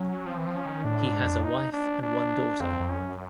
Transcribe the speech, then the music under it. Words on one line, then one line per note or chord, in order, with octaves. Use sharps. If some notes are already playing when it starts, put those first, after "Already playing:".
He has a wife and one daughter.
Already playing: F#3 C#4
F3 C4
E3
F3
C#4
D#3
A2 D4
G#2
F2
D#4
D4
D4
F2 C4
F2
C#4
F#2